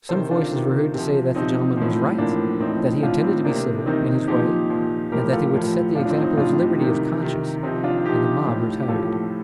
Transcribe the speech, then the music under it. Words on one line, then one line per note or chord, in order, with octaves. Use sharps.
Some voices were heard to say that the gentleman was right; that he intended to be civil, in his way, and that they would set the example of liberty of conscience,--and the mob retired.
C3 D#3 A4 C5
D4 F4
C3 D#3
C3 F3
C3 F3 C4 D#4
A2 F3
A2 F3 A#3 D4
A2 F3 C4 D#4
A2 F3 D4 F4
C4 D#4
C3 D#3 A#3 D4
C3 D#3 C4 D#4
A#2 F3 D#4 G4
A#2 F3
A2 F3 G4 A#4
F4 A4
A2 F3
A2 F3 D4 F4
D4
C4 D#4
C4 D#4
A2 F3 D4 F4
D#4 G4
C3 D#3
C3 D#3
C3 F3 C4 D#4
D4 F4
C3 F3 D#4 G4
A2 F3
G4
A2 F3 F4 A4